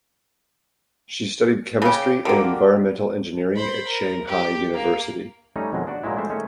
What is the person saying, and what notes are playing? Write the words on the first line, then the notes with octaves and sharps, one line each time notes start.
She studied chemistry and environmental engineering at Shanghai University.
C#3 G4
D3 A#3 F#4 G4 A#4
C5 B5
A#4
G4
A#3
G3 A3 C#4 D#4
F2 B2 D#3 F#3 G#3
D4 F#4 D5
A#2 F#3 G#3 E4
G#3 A3 C#4 C5 E5 G5
D#3 G#3 A3 C#4 C#5